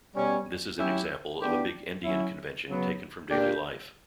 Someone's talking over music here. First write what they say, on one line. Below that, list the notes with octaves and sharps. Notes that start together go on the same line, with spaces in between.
This is an example of a big-endian convention taken from daily life.
B2 G3 C#4
F#3 C#4 E4 G4
E3 B3 D4 G4
F#3 C#4 E4
C#3 F#3 B3
A#2 A#3 D4 G4